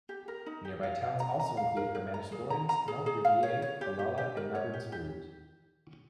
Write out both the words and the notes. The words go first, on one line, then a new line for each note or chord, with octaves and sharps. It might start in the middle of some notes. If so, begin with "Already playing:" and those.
Nearby towns also include Hermanusdorings, Melkrivier, Palala and Naboomspruit.
G4
A#4
D#4
G4
F5
F5
A#5
A#5
F5
A#4
A#4
A#5
G#4
A#5
A#5
G#4
G#4
F5
C#5
C#5
G4
G4
G4
A#4
C#5
G4
G4